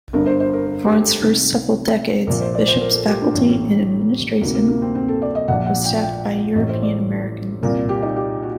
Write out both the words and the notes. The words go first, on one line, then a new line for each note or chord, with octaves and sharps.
For its first several decades, Bishop's faculty and administration was staffed by European Americans.
G1 G2 D3 A#4
C5
C5
A#4
A#4
G4
A4
C2 C3 D#3
A#1 A#2 A#4
C5
D5
C5
A#4
A4
G4
D4
A1 A2 C4
D2 C3 D#3 A#3
A#3
A#3
C4
C4
A4
D5
D#5
A#1 A#2 F#5
F#5
G5
G5
A1 A2 D#5
C5
D5
C2 A#2 A#4
G4
D#4
G4
F#4